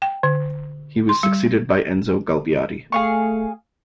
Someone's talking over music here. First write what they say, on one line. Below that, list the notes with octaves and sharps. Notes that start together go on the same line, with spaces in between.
He was succeeded by Enzo Galbiati.
G5
D3
C6
G3
A3 G#4 F5 C#6